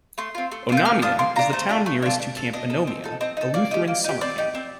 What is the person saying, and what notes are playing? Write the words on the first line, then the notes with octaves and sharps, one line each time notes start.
Onamia is the town nearest to Camp Onomia, a Lutheran summer camp.
A3 C6
C4 F4
A3
C4 F4
G6
A#3 F6
D4 F4 D#6
A#3 C6
D4 F4 A#5
A3 C5
D4 F4 A4
A3
D4 F4 A4
D4
A4
D4 D#5
A4
C4
D#4 A4
C4 D#5
D#4 A4
A#3 D5
D#4 G4
A#3
D#4 G4
C4 D5
D#4 G4
C4